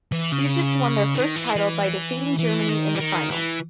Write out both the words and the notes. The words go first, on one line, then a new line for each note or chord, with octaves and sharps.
Egypt won their first title by defeating Germany in the final.
E3
C#3
D#3
E3
E3
E3
D#3
E3
D#3
E3